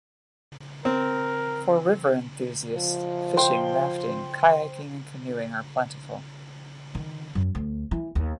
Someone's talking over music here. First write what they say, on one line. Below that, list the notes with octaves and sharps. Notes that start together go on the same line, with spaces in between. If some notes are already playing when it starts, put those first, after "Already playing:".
For river enthusiasts, fishing, rafting, kayaking and canoeing are plentiful.
C4 A#4
F3
C5 G5
D#3
F#2
D2
E3
D#2